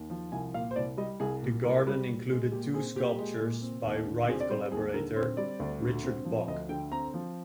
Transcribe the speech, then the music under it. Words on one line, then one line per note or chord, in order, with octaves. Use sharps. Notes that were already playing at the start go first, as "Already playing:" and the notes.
The garden included two sculptures by Wright collaborator Richard Bock.
Already playing: D#2
F3
C2 G#5
A#2 F5
C5
C2 D5
G3 D#5
C2 G#4
A#2
C2 A#4
G3
A#2
G#3
A#2 G4
C4 G#4
A#2 G4
G#3
A#2
C4
D#2
D3
C4 G#4
D5
G3 C5
D#2 G#4
D3 A#4
C4 C5
G3 D5
D2
D3
C4
F3
D2 D#5
D3 G5
C4 A#5
F3